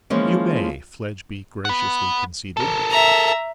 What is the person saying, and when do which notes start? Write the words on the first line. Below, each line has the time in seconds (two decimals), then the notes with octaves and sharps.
'You may,' Fledgeby graciously conceded.
0.10 E3 F3 G#3 A#3 C#4
1.65 F#5 B5
2.57 A4 A#4
2.90 E5 A#5